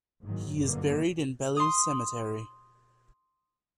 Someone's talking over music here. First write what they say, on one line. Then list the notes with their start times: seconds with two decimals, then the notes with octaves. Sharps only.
He is buried in Bellu cemetery.
0.23 F#1 G#2 D#3 F#3
0.58 G1 F#2 B2 D3 A#3
1.57 C6 D#6